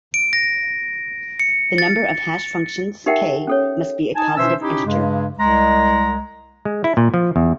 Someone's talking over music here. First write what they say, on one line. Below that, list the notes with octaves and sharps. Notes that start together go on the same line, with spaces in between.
The number of hash functions, "k", must be a positive integer.
D7
A#6
C#7
A6
D#4 G4 A#4 E5 F#5 G5
C#4 A4 C#5
D#4 G#5 A5
B2 E3 C#4 C5 E5 E6
C#4 D#4 E4 G4
G2 C#3 G#3
C2 G#3 A#5
G#3
E4
A#2
F3
E2